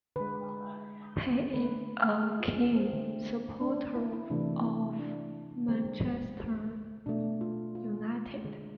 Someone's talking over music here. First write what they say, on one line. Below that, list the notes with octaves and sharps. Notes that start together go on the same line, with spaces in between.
He is a keen supporter of Manchester United.
D3 G#3 B4
D3 A3 B4
G#4
F4
C4
D3 A3
D4
E4
E4
C3 E3 A3 D4
E4
D4
D3 G#3 C4
B2 A3 D4
F4
F4
D3 G#3